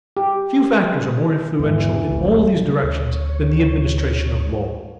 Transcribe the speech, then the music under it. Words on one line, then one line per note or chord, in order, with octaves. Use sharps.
Few factors are more influential in all these directions than the administration of law.
G4
E2 G#2 E3
D1 A1
D2 C#5